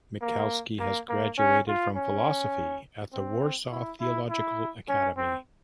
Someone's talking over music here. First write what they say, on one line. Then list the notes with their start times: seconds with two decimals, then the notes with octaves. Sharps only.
Michalski has graduated from philosophy at the Warsaw Theological Academy.
0.21 A#3
0.79 A#3
1.09 A#3
1.38 C#4
1.68 F4
1.96 C#4
3.13 C4
3.71 E4
4.00 E4
4.30 E4
4.88 C#4
5.17 C4